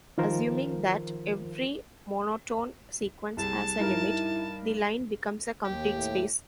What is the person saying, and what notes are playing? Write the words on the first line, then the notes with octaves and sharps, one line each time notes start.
Assuming that every monotone sequence has a limit, the line becomes a complete space.
D#3 F3 F4 A#4 C5
C2 G#4 A5
G2 D#4 E4 A#4
D#2 G4
A2